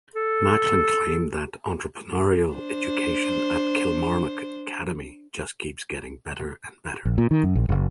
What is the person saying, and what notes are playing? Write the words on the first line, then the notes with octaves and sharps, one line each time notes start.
Macklin claimed that "entrepreneurial education at Kilmarnock Academy just keeps getting better and better".
A4
D4 C5
A#1
A#2
D#3
F#2
A#1
F#1